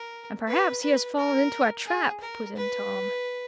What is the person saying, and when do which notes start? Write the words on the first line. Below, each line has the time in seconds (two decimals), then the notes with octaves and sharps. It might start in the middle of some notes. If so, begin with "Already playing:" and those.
"And perhaps he has fallen into a trap," put In Tom.
Already playing: A#4
0.47 B4
0.82 B4
1.17 A#4
1.87 G#4
2.22 A#4
2.56 B4